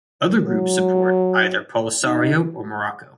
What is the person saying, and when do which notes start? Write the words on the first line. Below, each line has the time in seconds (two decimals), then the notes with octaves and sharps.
Other groups support either Polisario or Morocco.
0.48 F#3
2.05 D#4